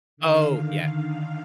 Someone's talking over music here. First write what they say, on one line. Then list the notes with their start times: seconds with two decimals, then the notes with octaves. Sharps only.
Oh, yeah.
0.17 D3 D#3 F5